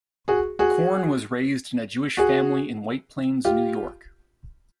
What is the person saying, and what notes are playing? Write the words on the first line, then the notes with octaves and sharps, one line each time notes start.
Corn was raised in a Jewish family in White Plains, New York.
F#4 G#4
F#4 G#4
F#4 G#4
F4 G4